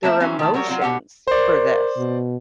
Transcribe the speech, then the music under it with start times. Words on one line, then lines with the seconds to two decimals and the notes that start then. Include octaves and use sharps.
their emotions for this.
0.03 A3 A#3 C4 D4 E5
0.20 E3 F#3 C4 C#4
0.39 D#3 A3
0.54 F#3 G3 A#4 C#5
0.68 F#3 C4 F4
0.81 B2 F#4 G4 F#5
1.28 A#4 C5 D5
1.97 B2